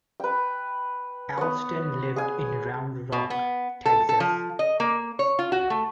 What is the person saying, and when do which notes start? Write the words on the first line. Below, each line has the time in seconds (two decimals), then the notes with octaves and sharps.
Allston lived in Round Rock, Texas.
0.20 B4 G5
1.38 B3 C#5
2.16 G#4 G#5
3.12 B2
3.30 B3
3.85 A4
4.09 A4
4.20 F3
4.59 D#5
4.80 A#3
5.19 C#5
5.39 F4
5.52 F#4
5.70 A3